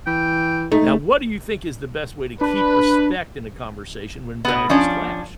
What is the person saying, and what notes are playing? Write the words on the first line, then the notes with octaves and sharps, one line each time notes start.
Now, what do you think is the best way to keep respect in a conversation when values clash?
E3 G5
A3 D#4
D4 B4
B2 B3
F3 C#4 D4 D5